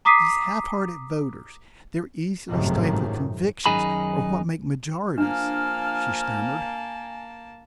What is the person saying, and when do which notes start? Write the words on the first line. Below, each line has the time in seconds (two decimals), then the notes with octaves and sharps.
"These half-hearted voters, their easily stifled convictions are what make majorities," she stammered.
0.05 A#5 D6 D#6 B6 C7 D#7
2.48 G#1 F#2 A2 C3 D#3 F3
3.66 F#2 D#3 D#4 G#4 B5
5.18 F3 A#3 D4 G#5 A5 F6